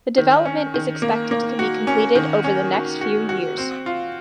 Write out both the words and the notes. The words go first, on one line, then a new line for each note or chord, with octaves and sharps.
The development is expected to be completed over the next few years.
D#3
C#4
D#3
A#3
A#3
F#4
C#4
D#3
C#4
F#4
F#4
F#4
C4
F4